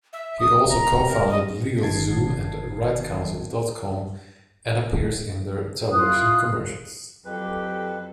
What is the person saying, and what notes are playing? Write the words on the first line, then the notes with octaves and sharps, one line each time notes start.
He also cofounded LegalZoom and RightCounsel dot com and appears in their television commercials.
E5
D#6
A#5
A#4
D#5
G1 D#3 A5 G#6 C7
E4 F4 D#6 F#6
F2 F#3 G4 A4 B4